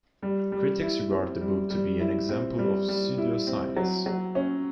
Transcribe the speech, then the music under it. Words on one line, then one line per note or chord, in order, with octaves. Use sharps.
Critics regard the book to be an example of pseudoscience.
G3
G3
E4
C4
G3
G3
E4
C4
G3
G3
E4
C4
F#3
F#3
C#4